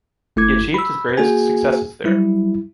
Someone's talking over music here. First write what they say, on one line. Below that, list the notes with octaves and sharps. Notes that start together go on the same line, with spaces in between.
He achieved his greatest successes there.
G1 A3 E4 D6 G#6
B5 E6
A#3 F#4 G#4 G#5
F#3 G3 E4